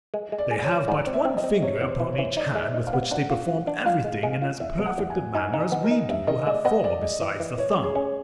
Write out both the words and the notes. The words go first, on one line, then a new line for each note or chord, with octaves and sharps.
They have but one finger upon each hand, with which they perform everything in as perfect a manner as we do who have four besides the thumb.
G#3
G#3
D5
G#4
C#5
F4
G#2 D5
C4
E5
C4
D#5
C4
C3 C#5
E2
C5
E3
C#5
E3
D#4 D5
G#3
E5
D#4
F5
B3
D4 F#5
F4
F4
D4
F4 F5
G#3
G#3
F4
E2 E5
B2
F#5
E2
G#5
E2
D#4 G#5
D#4
D#5
B3
A#4
D#4
G2 E5
D#3 D#5
G#3 D5
B3 D#5
G#3 D5
G#3
E3
E3
E3 C#5
C#4
G#4
C#4